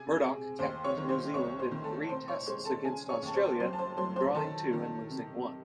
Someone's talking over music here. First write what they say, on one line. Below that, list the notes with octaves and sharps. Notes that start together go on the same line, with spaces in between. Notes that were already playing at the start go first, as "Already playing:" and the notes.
Murdoch captained New Zealand in three Tests against Australia, drawing two and losing one.
Already playing: C3 G#4 G#5
C4
D#2 C5 C6
C#5 C#6
D#3
C5 C6
C2 C#5 C#6
C5 C6
D#3
A4 A5
C4 C5 C6
C#5 C#6
G#3 C5 C6
A4 A5
C#3 G#4 G#5
C#5 C#6
D#2 A5
C5 C6
F#3 C5 C6
A5
C5 C6
F#3 C5 C6
C5 C6
D#3 A4 A5
D#3
C3